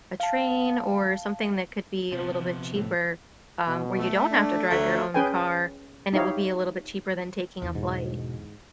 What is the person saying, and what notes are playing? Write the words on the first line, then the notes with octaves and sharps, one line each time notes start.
a train or something that could be a little bit cheaper, um, where you don't have to drive your own car, and it would be a little bit cheaper than taking a flight.
F5 A5
C3 F3 B3
A2
B2
A3
D4
D2 F#3 A3
C#4 G#4 B4 G5 G#5
D#4 E4 G4 C#5 F5
E2 D3
G#2 B2